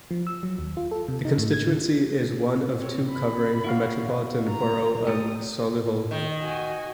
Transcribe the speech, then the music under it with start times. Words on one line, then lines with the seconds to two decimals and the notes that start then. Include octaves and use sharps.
The constituency is one of two covering the Metropolitan Borough of Solihull.
0.11 F3
0.27 E6
0.43 F#3
0.59 D#2
0.77 F4
0.92 A4
1.08 C3
1.25 D#4
1.38 A2
1.53 G#6
1.66 D3
2.79 C4 C#5
3.09 B5
3.64 E4 F#4 F5
4.49 A#5
5.07 A3 G4 D#6
6.11 D#3
6.41 F#4 G#5